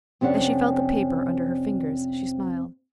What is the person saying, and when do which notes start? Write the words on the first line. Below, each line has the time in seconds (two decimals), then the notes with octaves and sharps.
As she felt the paper under her fingers she smiled.
0.21 F2 C3 C#4 D4 F#5